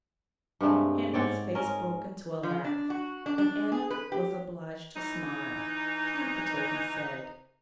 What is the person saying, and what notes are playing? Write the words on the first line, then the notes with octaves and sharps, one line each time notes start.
Henry's face broke into a laugh, and Anna was obliged to smile. 'Capital!' he said.
G2 C3 G#3 A3
G#2 C4 C#5 D5
C#4 A#4 D#5
F3
D4
F#4
D4
D4
G#4
B4
G4
E3 D#4